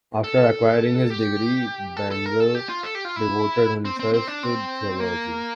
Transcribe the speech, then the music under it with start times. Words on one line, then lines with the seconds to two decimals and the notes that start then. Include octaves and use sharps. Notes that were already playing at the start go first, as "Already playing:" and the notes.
After acquiring his degree, Bengel devoted himself to theology.
0.24 A4
1.10 G4
1.97 A4
2.11 A4
2.26 A#4
2.40 A4
2.55 G4
2.69 F4
2.83 A4
2.95 G4
3.05 F4
3.16 E4
3.85 C4
3.99 C4
4.14 C4
4.27 D4
4.43 C4
5.00 A#3